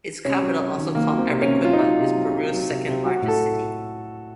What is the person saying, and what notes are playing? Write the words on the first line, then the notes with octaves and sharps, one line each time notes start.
Its capital, also called Arequipa, is Peru's second-largest city.
C3 C#4
F#3
F#3
D#3
D#3 A#3
F#3
C4
C3
C#4
C3
F#3 F4
D#4
F#3 F4
C3
F#3
F#3
F#3
C3
C3
F#3 F#4
A2
A4